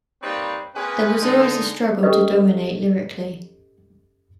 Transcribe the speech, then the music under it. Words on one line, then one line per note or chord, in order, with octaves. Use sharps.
There was always a struggle to dominate lyrically.
G3 A#3 C4 D#4 B4 C#5
A#3 C4 C#4 G#4 B4
D3 G#3 D#4
C#4 G4 A4 B4 D#5